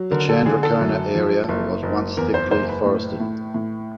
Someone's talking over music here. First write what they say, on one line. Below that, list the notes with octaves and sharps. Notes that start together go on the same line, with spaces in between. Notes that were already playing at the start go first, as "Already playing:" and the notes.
The Chandrakona area was once thickly forested.
Already playing: F#3
D3 A#4
A4
D3 G#4
A4
F#2
F3
F#1
F#1
E2 A#4
C5
F#1 C5
B4
A2
A2
A2